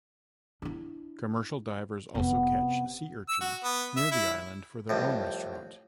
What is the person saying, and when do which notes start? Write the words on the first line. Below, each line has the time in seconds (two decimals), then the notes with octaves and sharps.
Commercial divers also catch sea urchin near the island for their own restaurant.
0.62 D4 E4
2.15 F1 F2 C3 B3
3.29 E6
3.41 F#4
3.64 B3
3.97 E5
4.12 E4
4.89 C2 F2 A2